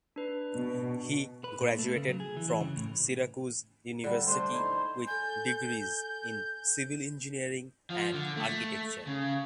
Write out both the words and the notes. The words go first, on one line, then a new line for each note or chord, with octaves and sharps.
He graduated from Syracuse University with degrees in civil engineering and architecture.
D4 B4
B2
B4
A#2
A3
C#3
F#3
G#4
E3
E3
C#3
A2
D3 G3
A3 D4 C5
D#4 E4
A4 G#5 G6
F3
D3
A3
C#3